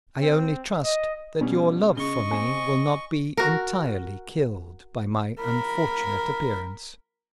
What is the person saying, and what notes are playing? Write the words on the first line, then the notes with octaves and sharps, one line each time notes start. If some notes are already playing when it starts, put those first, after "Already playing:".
I only trust that your love for me will not be entirely killed by my unfortunate appearance.
C4
D#5
B2 G3 C#4
C#3 D#5 C#6 G7
C4 G#5
F#4 A#4
A#4 B5